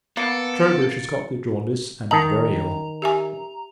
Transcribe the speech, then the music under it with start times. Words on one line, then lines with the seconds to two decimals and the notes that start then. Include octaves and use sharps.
Troubridge has got the jaundice, and is very ill.
0.17 A#3 B3 A4 A6 C#7 D7
2.11 D#3 D#5 A5 A#5
3.02 G4 E5 G#5